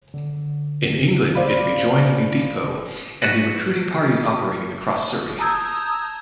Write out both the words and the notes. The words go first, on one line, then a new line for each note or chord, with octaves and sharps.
In England it rejoined the depot and the recruiting parties operating across Surrey.
D3
C5 D5 F5 B5
F#4 B4
A5 A#5 D#6 E6 G6 G#6